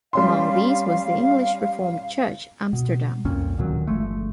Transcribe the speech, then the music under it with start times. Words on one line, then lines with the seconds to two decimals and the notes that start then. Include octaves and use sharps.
Among these was the English Reformed Church, Amsterdam.
0.13 G3 C#4 F5 C6
2.73 B2
3.25 C2 F2 A#2 C#4
3.58 D1 A#2 D#3 F#3
3.87 G1 F3 G#3 A3